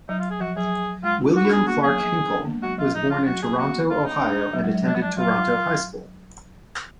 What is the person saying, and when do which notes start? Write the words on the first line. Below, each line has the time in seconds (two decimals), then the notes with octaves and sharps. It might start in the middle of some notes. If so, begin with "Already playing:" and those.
William Clarke Hinkle was born in Toronto, Ohio and attended Toronto High School.
0.09 F#3 D#4
0.19 F4
0.30 G#4
0.40 F3 F#4
0.56 F#3 G#4
1.03 G#3 F4
1.21 F4
1.33 D#4 F#4
1.45 D4
1.52 B3 G#4
1.67 A#3 F#4
1.84 F#3 G#4
2.00 F3
2.27 D4
2.37 B3
2.45 A#3
2.54 G#3
2.62 F#3 F#4
2.78 F3 F4
2.94 F3 D#4
3.10 F4
3.26 F#3 F#4
3.42 A#3 G#4
3.58 B3 F#4
3.90 F4
4.05 D#4
4.22 D4
4.53 F#3
4.64 G#3
4.74 F#3
4.86 F3 D4
4.95 B3
5.01 D4
5.17 F#3 F4